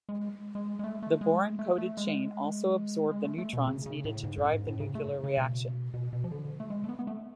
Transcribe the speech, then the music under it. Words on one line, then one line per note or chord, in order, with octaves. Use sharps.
The boron-coated chain also absorbed the neutrons needed to drive the nuclear reaction.
G#3
G#3
G#3
A3
A3
G#3
A3
A3
G#3
G#3
A3
A3
B2
C#3
C#3
A2
G#2
F#2
G#2
A2
C#3
A3
C#3
B2
B2
B2
F3
D3
A3
G#3
A3
B3
B3
A3